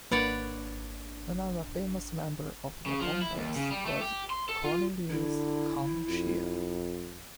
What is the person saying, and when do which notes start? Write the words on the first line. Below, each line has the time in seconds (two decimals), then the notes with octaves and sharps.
Another famous member of the Bombers was Cornelius "Con" Shea.
0.11 G#1 A#3 D4 B4 C#5 D5 F#5
2.86 C#3
3.01 F3
3.22 E4
3.37 D#2
3.55 C#3
3.70 G3
3.86 A3
4.01 G4
4.30 C6
4.49 A4
4.64 F4
5.11 D3 E4
6.09 F2